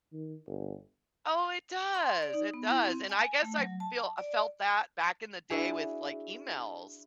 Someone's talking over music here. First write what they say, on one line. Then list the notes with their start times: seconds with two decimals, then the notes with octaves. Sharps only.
Oh, it does, it does, and I guess I feel I felt that back in the day with, like, emails,
0.13 D#3
0.47 G1
1.95 C6
2.23 D5
2.34 D#4
2.54 B3
2.70 E4
2.85 C4
3.10 G#5
3.43 A3
3.58 F#3
3.80 A5
4.18 D5
5.50 D4 E4 F#4 G#4 E5